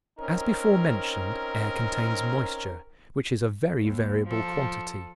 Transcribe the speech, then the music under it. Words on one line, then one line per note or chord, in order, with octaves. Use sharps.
As before mentioned, air contains moisture, which is a very variable quantity.
C4 C#4 D#4 A#4
D#2
F3 A4